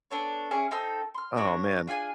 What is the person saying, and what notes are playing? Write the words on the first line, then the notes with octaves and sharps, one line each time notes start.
Aw, man.
B3 D4 A4 C#5
C#4 G#4 E5 D6
C4 D#4 A4 E6
C6 F6
D4 F#4 C#5
D4 F4 G#4 G#5